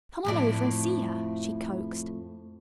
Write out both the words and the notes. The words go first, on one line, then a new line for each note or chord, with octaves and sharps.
"Come on over and see her," she coaxed.
F2 A2 D5